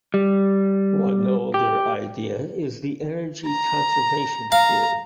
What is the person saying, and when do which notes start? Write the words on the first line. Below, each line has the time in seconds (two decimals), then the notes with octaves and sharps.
One older idea is the "energy conservation" theory.
0.14 G3
1.54 G4
3.48 A#5
4.52 F5 A#5